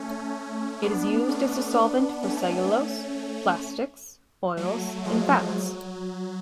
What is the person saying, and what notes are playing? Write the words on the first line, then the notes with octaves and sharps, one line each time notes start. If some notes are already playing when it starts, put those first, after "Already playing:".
It is used as a solvent for cellulose, plastics, oil and fats.
Already playing: A3 C#4
B3 D4
A3 C#4
B3 D4
A3 C#4
F#3 A3
F3 G#3
F#3